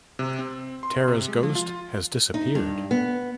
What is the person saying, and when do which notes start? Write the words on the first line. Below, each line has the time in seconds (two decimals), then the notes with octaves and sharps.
Tara's ghost has disappeared.
0.19 C3
0.39 C4
0.83 C6
1.08 C3
1.28 G#3
1.43 F3
1.55 F4
2.34 D#4
2.55 G2
2.91 B3